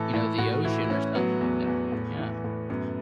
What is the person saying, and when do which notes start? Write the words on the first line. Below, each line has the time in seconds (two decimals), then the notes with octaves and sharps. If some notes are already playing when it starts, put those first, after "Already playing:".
you know, the ocean or something like that, yeah.
Already playing: A2 E3 A4
0.13 A2 E4
0.38 A2 F#4
0.65 E3 E4
0.84 E4
0.90 A2 C#4
1.15 F#3 B3
1.41 E2
1.67 E2
1.92 A2
2.18 E3
2.44 A2
2.70 F#2 B3